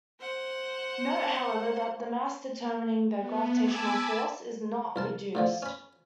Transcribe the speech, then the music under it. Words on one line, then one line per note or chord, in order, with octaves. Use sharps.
Note, however, that the mass determining the gravitational force is "not" reduced.
C5 F#5
B3
G#5 A5 B5 D6 E6
C2 A#4 A5
A2 D3 F3
C#4 B5